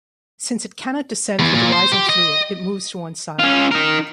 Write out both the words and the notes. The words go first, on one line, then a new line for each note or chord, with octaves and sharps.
Since it cannot descend through the rising fluid, it moves to one side.
E2
A#2
C5
G4
D#5
C#4 F4
D#4 A#4